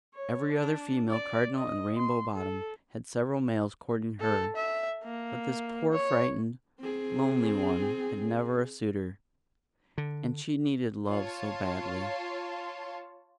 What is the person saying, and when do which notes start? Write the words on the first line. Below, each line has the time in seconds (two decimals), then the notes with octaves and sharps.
Every other female cardinal in Rainbow Bottom had several males courting her, but this poor, frightened, lonely one had never a suitor; and she needed love so badly!
0.14 C#5
0.52 D4
1.10 D5
1.58 D#5
1.97 C6
2.35 A4
4.21 A4
4.56 E5
5.04 A#3
5.93 C#5
6.80 C4 G#4
9.98 D3
11.09 F4 C#5 A5